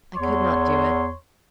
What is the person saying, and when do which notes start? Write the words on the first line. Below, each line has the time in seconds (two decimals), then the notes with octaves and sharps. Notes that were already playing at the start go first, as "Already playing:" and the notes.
I could not do it.
0.14 E2 C#5 C6